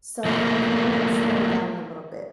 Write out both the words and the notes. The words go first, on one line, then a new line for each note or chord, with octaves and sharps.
so I kinda slowed down a little bit.
F3 A3 A#3